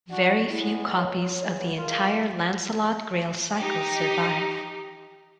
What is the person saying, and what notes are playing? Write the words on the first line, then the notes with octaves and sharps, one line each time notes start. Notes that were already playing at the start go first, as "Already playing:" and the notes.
Very few copies of the entire Lancelot-Grail Cycle survive.
D4 F#4
E2 G#3 B3 E4
C#5
E2
G#3 F4 A#4
D#4 G4